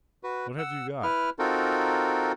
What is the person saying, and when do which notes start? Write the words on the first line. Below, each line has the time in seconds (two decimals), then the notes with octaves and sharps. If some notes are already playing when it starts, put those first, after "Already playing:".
"What have you got!"
0.23 F#4 B4
0.58 F#5 E6
1.03 E4 B4 F6
1.39 C4 D#4 F4 F#4 A4 A#4